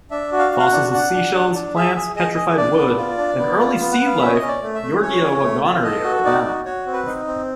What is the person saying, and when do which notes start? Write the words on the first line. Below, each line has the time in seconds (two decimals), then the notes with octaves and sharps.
Fossils of seashells, plants, petrified wood and early sea life Yorgia waggoneri are abound.
0.11 D4 E5
0.32 F#4
0.39 F5
0.52 F#4
0.59 F5
0.66 F#5
0.73 D4
0.93 D4 F#5
1.13 D4
1.34 D4
1.54 D4
1.75 G#4 E5
1.95 G#4
2.16 G#4 D#5
2.36 G#4
2.57 D4 D5
2.77 B3
2.98 F4
3.18 D4
3.39 B3
3.59 F4
3.79 B3
3.92 F#5
4.00 B3
4.06 F5
4.20 C#4 E5
4.34 D#5
4.41 C#4
4.48 D5
4.62 A3
4.75 E5
4.82 A3
5.02 C#4 C#5
5.23 C#4
5.43 A3
5.64 F4
5.84 A4 D#5
6.04 F#4
6.24 D#4 D5
6.46 F#4
6.65 F#4 C#5
6.86 C4
6.93 B4
7.07 D#4
7.27 C4